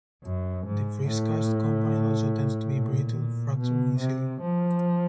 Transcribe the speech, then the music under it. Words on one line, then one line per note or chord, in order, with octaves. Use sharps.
The freeze-cast component also tends to be brittle, fracturing easily.
F#2
G#2
A2
A#2
B2
C3
F3